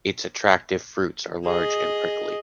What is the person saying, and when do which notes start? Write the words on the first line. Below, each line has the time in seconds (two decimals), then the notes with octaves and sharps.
Its attractive fruits are large and prickly.
1.45 G#4 D#5